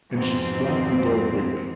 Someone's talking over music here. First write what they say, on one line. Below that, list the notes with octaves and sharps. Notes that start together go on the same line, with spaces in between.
And she slammed the door quickly.
F2 G#2 B2 C4